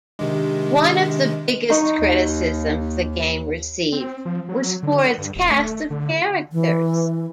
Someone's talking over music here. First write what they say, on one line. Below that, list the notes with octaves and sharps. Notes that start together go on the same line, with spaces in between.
One of the biggest criticisms the game received was for its cast of characters.
C3 D#3 G#3 D4 G4 D#5
D#4 E4 A#5 C#6
D#2
C4
F3
F#3
D3
G2
D#1
A3
D3
E3